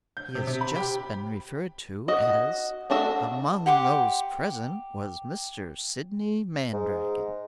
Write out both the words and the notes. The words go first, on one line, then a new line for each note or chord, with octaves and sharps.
He has just been referred to as "Among those present was Mr. Sidney Mandragon."
G6
C3
C3
B5
G4
F#4 D#5
A3 D4 F#4 E5
G4 F#5 C6 D6
G#2